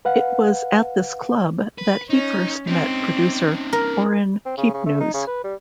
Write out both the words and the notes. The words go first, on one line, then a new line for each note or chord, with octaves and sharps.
It was at this club that he first met producer Orrin Keepnews.
B4 F5 F#5
B4
C#4 D#4
C4 C#4 D#4
A#4
C4
C#3
C#3
A3
D#4
C#3
B4
G3